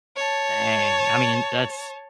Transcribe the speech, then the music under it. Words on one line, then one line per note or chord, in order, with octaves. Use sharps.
Dang. I mean, that's
C#5 A5